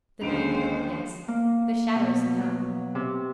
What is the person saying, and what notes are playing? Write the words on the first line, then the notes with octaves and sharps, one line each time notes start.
The night, yes; the shadows, no.
D#2 D3 G#3 C#4 C5 D7 F7
A#3
B2
F#3
C3